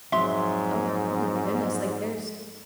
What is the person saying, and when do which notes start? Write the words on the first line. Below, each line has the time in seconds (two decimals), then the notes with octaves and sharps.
"Oh my goodness, like, there's"
0.12 F2 G#2 F#3 E5 C6